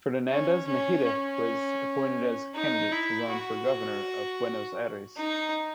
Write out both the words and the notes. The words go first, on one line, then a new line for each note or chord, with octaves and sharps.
Fernandez Meijide was appointed as candidate to run for Governor of Buenos Aires.
C#4
C#4
C#4
D#4
E4
F#4
D#4